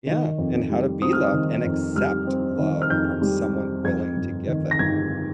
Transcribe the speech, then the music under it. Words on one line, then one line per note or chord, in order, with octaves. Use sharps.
Yeah, and how to be loved and accept love from someone willing to give it,
D#3
F2
G3
C4 D#6
F6
D#6
D#3
F2
G3 F6
C4
D#3
F6
F2 G6
G3
C4
F2 G#6
G1
D#3
A#6
G1 G#6